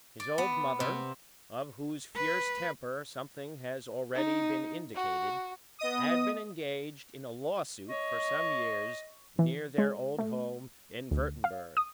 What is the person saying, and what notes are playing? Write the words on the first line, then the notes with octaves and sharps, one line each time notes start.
His old mother, of whose fierce temper something has already been indicated, had been engaged in a law-suit for some years near their old home in Wuertemberg.
D5
B3
C3
B4
D#4
F#4
B3 D#5 D#6
C#5 D#5
E3
G#3
A3
D2
F5
D#6